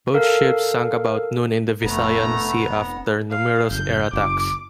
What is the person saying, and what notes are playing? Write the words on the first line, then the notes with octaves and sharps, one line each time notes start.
Both ships sank about noon in the Visayan Sea after numerous air attacks.
A4 A#4 F5
F1 A3 B3 A#5
F5
F#1 G6
F#1 D6